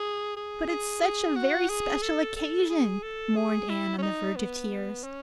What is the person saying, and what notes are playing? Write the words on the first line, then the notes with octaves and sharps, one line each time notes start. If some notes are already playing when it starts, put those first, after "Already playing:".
"But it's such a very special occasion," mourned Anne, on the verge of tears.
Already playing: G#4
G#4
G#4
G#4
F#4
G#4
A4
A4
G#4
A4
G#4
E4
C#4
D#4
B3
C#4